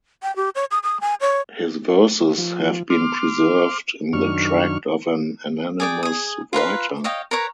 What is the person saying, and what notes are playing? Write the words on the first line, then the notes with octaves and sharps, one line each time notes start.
His verses have been preserved in the tract of an anonymous writer.
G5
G4
C#5
D#6
D#6
G#5
C#5
F3
C6 D6 F6
F#2 D#3 D4 C#6 F6
G#4 D5 G5
G#4 D#6
F4 A#4 B4 F5
C#5 D#5 F5 G5
A#4 B4 C#5 A#5